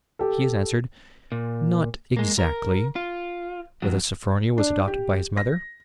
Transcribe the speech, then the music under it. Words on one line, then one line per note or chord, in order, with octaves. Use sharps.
He has answered, 'Not exactly.' Whether Sophronia was adopted by his mother?
G4 A4
A#2
G#3 A#3
A#4
F4
F2 F#3
D4
G4
A#6